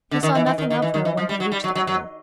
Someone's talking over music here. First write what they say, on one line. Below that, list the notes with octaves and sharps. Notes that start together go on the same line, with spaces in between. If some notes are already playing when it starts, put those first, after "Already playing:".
He saw nothing of her when he reached the Cove.
D3
D#3
E3
E3
D#3
D#3
E3
D#3
E3
F3
G3
F#3
G3
F#3
F#3
F#3